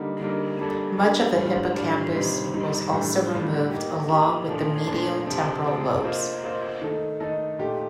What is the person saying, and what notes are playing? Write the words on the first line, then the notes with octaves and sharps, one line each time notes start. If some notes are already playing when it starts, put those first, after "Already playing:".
Much of the hippocampus was also removed along with the medial temporal lobes.
Already playing: D3 G3 A#3 D#4 A#4
D3 G3 A#3 D#4 A#4
G3 A#3 D4 A4
G3 A#3 D4 A4
A2 G3 D4 F4
A2 G3 D4 F4
C3 D#3 G3 C4 D#4
C3 D#3 G3 C4 D#4
A2 G3 D4
A2 G3 D4
A#3 D#4 G4
A#3 D#4 G4
A#2 F3 A3 D4
A#2 F3 A3 D4
C3 F3 C4
C3 F3 C4
A#3 F4 C5 D#5
A#3 F4 C5 D#5
D#3 A3 D#4 A4 D#5
D#3 A3 D#4 A4 D#5
A#2 A3 D#4 G4